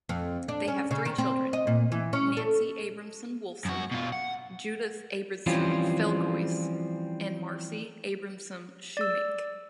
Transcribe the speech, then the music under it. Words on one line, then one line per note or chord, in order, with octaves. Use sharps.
They have three children: Nancy Abramson Wolfson, Judith Abramson Felgoise and Marcy Abramson Shoemake.
F2
D4
C#4
C#3
D#3
C4
D#5
A#2
E3
C#4
A4
F#2 F#4
B2 F4
F#5
E3 F3 G3 C4 C#4 F4
D5 E6